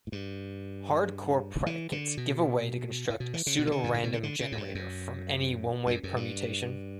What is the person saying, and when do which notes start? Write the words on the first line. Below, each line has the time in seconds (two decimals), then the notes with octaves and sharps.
Hard-core predicates give a way to construct a pseudorandom generator from any one-way permutation.
0.07 A2
0.12 G2
1.66 E3
1.92 D3
2.17 B2
3.10 A2
3.20 B2
3.34 E3
3.47 C#3
3.59 B2
3.67 E3
3.72 D3
3.84 G2
3.94 A2
4.04 B2
4.13 C#3
4.23 D3
4.40 C#3
4.52 A2
4.57 G2
4.75 F#2
5.86 G2
5.90 F#2
6.03 F#2
6.16 G2